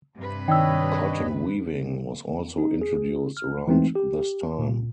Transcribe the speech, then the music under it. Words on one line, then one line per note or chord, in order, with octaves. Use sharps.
Cotton weaving was also introduced around this time.
G2 C3 B4
D#3 D4 C#5 D#5 G5 E6
D#4
G#4
F6
E3 G#3 A3 C4 D#4
G4
A#2